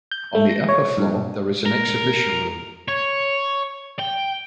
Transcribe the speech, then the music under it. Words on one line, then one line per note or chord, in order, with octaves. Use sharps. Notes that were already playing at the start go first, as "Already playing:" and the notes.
On the upper floor there is an exhibition room.
G6
A3
A#6
C#5
G2
A#4
C#5
G5